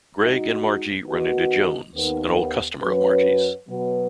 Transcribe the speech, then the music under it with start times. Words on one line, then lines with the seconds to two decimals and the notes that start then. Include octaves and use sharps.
Gregg and Margy run into Jones, an old customer of Margy's.
0.18 G#3 D#4 F#4 D#5
1.04 D#3 B3 D#4 F#4 D#5
1.93 D#2 D#3 B3
2.80 F#2 F#3 C#4 B4
3.67 B2 F#3 B3